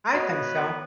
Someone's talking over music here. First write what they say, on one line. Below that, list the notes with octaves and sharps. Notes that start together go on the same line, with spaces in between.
I think so.
B3 F#4 C#5 D#5